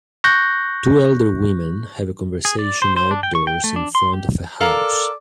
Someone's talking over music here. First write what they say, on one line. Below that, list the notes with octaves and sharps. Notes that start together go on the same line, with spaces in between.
Two elder women have a conversation outdoors in front of a house.
C#6 F#6 G6 A#6
G#4
D5
C5
C5
D4
G5
C#6
G5
A3
D4
C6
G4
A4 A#4 D5 F5 A#5